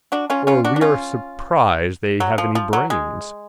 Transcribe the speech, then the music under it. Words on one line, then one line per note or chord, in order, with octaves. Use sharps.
Or we are surprised they have any brains.
D4 F#4
C#4 F4
C#4 F4
D4 F#4
D4
C#4 F4
F#3
F3
F3
F#3
G#3